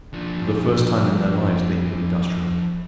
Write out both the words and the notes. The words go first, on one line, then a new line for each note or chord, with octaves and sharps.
For the first time in their lives they knew industrial peace.
F3 D4